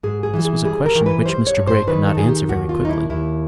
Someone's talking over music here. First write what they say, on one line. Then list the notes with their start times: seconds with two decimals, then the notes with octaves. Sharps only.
This was a question which Mr. Grey could not answer very quickly.
0.03 G#2 G#4
0.23 G#4
0.34 E3
0.45 G#4
0.64 G3 G#4
0.86 A#4
0.95 E3
1.06 B4
1.26 G3 C5
1.47 C#5
1.57 G2
1.67 C5
1.87 D#3 B4
2.07 A4
2.18 D#3 G#4
2.29 G4
2.49 D#2 F#4
2.69 F4
2.80 D#2 D#4
2.89 E4
3.10 D#2 E4